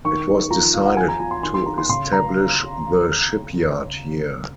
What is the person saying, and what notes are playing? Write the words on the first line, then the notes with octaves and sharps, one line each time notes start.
It was decided to establish the shipyard here.
D#3 C#6
D#3
F3 A#5
F3 F5
F#5
F3 G#5
A#5
F3 A#5
C6
D#3 C6
C6
D#3 A#5
C6
C#3 C6
A#5